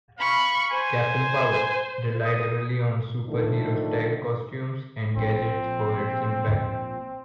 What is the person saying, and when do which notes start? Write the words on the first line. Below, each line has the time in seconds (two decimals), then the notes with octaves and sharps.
"Captain Power" relied heavily on super-hero style costumes and gadgets for its impact.
0.18 F5 B5 C#6
0.71 C5 G#5
2.25 D#6
3.27 D3 D#3 F3 A3
5.17 A#1 C4